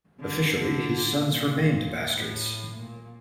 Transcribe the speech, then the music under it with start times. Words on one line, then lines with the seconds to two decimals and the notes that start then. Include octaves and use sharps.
Officially his sons remained bastards.
0.19 D3
0.52 D3
1.17 A#2
2.14 A2
2.78 A#2